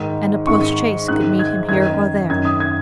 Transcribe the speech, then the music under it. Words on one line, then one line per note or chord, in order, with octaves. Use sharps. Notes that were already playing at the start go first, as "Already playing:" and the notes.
And a postchaise could meet him here or there.
Already playing: G#2 D#3
G#2 D#3 C#6
G#2 D#3 F#6
G#6
F#2 D#3 G#6
F#2 D#3 G#6
D#6
G#6